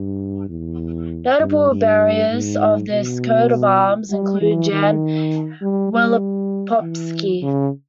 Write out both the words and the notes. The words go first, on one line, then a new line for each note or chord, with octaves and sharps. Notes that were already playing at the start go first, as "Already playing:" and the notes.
Notable bearers of this coat of arms include Jan Wielopolski.
Already playing: G2
E2
G2
G2
G#2
B2
G3
E3
D#3
G3
G3
E3
C#3